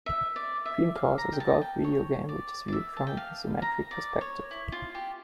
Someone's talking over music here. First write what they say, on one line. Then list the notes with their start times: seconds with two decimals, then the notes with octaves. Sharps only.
"Dream Course" is a golf video game which is viewed from an isometric perspective.
0.06 E5
0.36 D5
0.66 E5
0.95 F5
1.18 A#5
1.32 G5
1.40 A5
1.61 G5
1.84 C#5
2.29 D5
2.68 D5
2.73 E5
2.97 A5
3.07 G5
3.17 F5
3.62 A#5
3.91 D5
4.21 C#5
4.51 E4
4.72 F4
4.95 G4